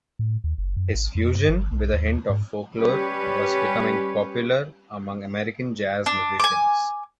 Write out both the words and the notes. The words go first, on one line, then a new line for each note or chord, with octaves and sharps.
His fusion with a hint of folklore was becoming popular among American jazz musicians.
A2
D#2
F#1
F#2
G#1
F2
G2
G1
B1
D#2
G#2
G3 C#4 G4 B4 C#5
D4
G#5 D6